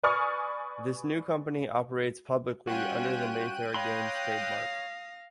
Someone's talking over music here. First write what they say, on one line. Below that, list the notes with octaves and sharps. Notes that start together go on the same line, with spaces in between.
This new company operates publicly under the Mayfair Games trademark.
B4 D5 G#5 C#6 D#6 F6
G3 C#4 F4 F#4 G5 F#6 D#7
C#5 F5 B5 C6 D#6 A#6